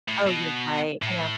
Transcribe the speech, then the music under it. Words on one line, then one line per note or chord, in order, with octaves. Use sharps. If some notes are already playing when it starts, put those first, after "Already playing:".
Oh, you're right. I know.
A2
B2
A2